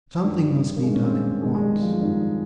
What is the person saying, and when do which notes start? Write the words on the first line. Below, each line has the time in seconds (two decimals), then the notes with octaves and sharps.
Something must be done at once.
0.23 G2 D#3 G3
0.76 A#3
0.82 G2 G#3
0.87 D#3
0.94 C#4
1.03 C4
1.12 A#3
1.42 G#2 D#3 G#3
1.55 G#3
1.61 G3
1.82 F3
1.92 F3
2.01 G#2 D#3 G3